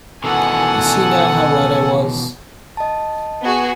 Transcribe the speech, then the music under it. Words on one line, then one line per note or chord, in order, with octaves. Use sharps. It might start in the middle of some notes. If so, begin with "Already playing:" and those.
You see now how right I was.
B2 D#3 E3 A4 F#5 G#5
D#5 A5
B3 F#4 G#4